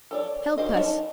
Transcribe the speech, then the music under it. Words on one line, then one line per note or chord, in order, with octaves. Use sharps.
Help us.
A4 C#5 D5
D#3 F#4 G4 C5 D#5
C#4 D#4 E4 C#5 A5